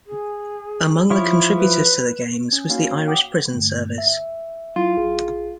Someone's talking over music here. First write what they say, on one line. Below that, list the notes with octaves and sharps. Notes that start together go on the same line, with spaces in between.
Among the contributors to the Games was the Irish Prison Service.
G#4
F3 E4 C#5
B4
C#4
A#3 D#4 F#4 C#5 F5
F#5 G5 D6 D#6
G2 D3 A3
E5
F#3 E4 F4
A1 G#4